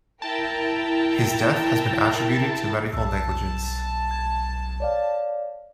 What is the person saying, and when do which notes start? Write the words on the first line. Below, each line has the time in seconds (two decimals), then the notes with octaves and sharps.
His death has been attributed to medical negligence.
0.22 E4 A#4 G5 A5
2.93 B1 A5 E6
4.11 G#6
4.80 C#5 D5 F5